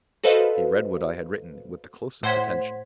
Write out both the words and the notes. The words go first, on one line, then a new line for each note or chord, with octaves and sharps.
He read what I had written with the closest attention.
F#4 A4 B4 C5 D#5 F5
A2 C5 F#5 C6 G#6 B6